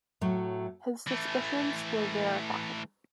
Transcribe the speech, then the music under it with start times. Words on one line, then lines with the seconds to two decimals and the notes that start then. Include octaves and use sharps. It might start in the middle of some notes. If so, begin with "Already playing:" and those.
His suspicions were verified.
0.21 A2 F#3 A3
1.07 E3 A3